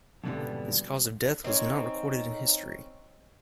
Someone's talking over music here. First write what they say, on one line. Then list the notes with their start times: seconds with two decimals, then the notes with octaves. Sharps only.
His cause of death was not recorded in history.
0.24 F2 G#2 B2 D3 E3 G3
1.44 C4 C#4 D#4